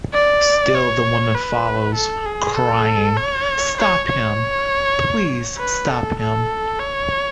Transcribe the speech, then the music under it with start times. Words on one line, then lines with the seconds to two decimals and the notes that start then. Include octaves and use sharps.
Still the woman follows, crying, "Stop him, please stop him!"
0.13 D5
0.75 C#5
1.35 B4
1.95 A4
2.26 G#4
2.56 A4
3.17 C#5
3.77 C#5
4.08 C#5
5.58 B4
5.89 A4
6.20 A4
6.80 C#5